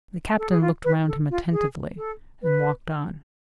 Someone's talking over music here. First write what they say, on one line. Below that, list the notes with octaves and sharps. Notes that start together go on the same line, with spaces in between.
The captain looked round him attentively, and walked on.
A4
G#4
F4
B4
A4
F4
G#4
A4
B4